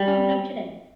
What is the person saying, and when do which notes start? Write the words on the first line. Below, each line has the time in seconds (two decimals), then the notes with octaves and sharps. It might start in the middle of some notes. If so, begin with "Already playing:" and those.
Oh, no kidding.
Already playing: G3